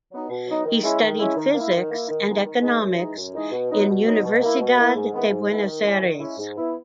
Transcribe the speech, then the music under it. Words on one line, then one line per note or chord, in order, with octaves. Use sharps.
He studied physics and economics in Universidad de Buenos Aires.
F#3 B3 D#4
B2
F#3 B3 D#4
D#3
G#3 C#4 E4
D#3
G#3 C#4 E4
D#3
A#3
E4
D#3
A#3 E4
D#3
G#3 B3 D#4
D#3
G#3 B3 D#4
F#2
E3 G#3 D#4
F#2
E3 G#3 D#4
B2
F#3 B3 D#4
B2
F#3 B3 D#4
B2
A#3 E4
B2
A#3 E4
G#2
D#3 G#3 B3 E4
G#2
D#3 G#3 B3 E4
D#3
G#3 C#4 E4
D#3
G#3 C#4 E4
G#2
E3 B3 E4